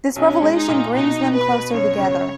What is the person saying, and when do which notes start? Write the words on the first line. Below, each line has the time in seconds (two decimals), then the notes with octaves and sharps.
This revelation brings them closer together.
0.16 B1 C#4
0.42 G#3
0.55 D#4
0.68 A#2
0.94 B2 D#4
1.21 B2
1.34 B4
1.47 B2
1.73 F#2 C#5
1.99 C#3